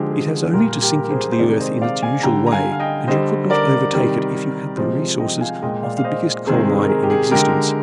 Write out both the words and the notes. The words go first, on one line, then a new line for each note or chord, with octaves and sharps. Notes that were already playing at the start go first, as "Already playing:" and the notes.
It has only to sink into the earth in its usual way, and you could not overtake it if you had the resources of the biggest coal-mine in existence.
Already playing: D3 F3 G#3 G4
G#4
A#2 G3 G4 A#4
G4 A#4
A#4
G#4 C5
C5
C3 D#3 G#3 A#4 D5
C5 D#5
D5 F5
F5 G#5
D3 G3 G5 A#5
A#5
F5 G#5
F5
D#5 G5
D3 G3 C5 D#5
A#4 D5
C3 D#3 G3
C3 F3 G#3 C5 D#5
D#5 G5
F5 G#5
A#2 G#3 D#5 G5
D5 F5
F5
C5 D#5
C3 D#3 G#3 G#4 C5
G#4
A#4
G#4
G4
G#4
D3 G#3 G4 A#4